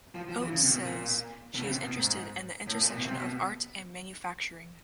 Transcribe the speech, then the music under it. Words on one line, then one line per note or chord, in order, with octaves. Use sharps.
Oates says she is interested in the intersection of art and manufacturing.
F3
F3
E3
C#3
C3
B2
A#2
B2
C#3
C3
B2
G#2
A2
A#2
B2
C3
B2